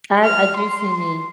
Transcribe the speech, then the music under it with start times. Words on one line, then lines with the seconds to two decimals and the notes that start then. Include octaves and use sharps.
I I do see me,
0.24 F6
0.57 C6